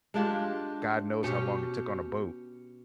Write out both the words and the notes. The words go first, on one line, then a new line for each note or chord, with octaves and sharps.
god knows how long it took on a boat.
G#3 D4 F4 G4
B2 C#4 G4